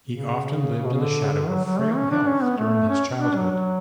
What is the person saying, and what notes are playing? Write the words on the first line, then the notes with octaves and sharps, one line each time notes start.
He often lived in the shadow of frail health during his childhood.
C#3
B2
C#3
D3
C#3
D3
F#3
F#3
A3
C#4
D4
C#4
B3
A3
C#4
D4
F#3
F#3